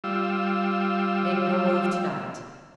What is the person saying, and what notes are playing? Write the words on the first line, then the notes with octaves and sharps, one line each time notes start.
Make no move to-night.
G3 F4 E6